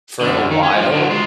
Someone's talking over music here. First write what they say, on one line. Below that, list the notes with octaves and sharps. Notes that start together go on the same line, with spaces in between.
for a while,
F#2 D3
D#3
C#4
G2 F3
D3 F#3
G#3 F4